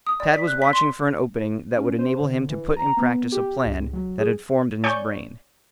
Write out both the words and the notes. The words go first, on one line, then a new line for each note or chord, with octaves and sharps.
Tad was watching for an opening that would enable him to put in practice a plan that had formed in his brain.
D#6
D5
B6
F#6
B6
C6
C#4
C5
D3
E3
A#5
B3
G4
C#2
F#3
G#4
C#5 D5 G#5 C#6 G6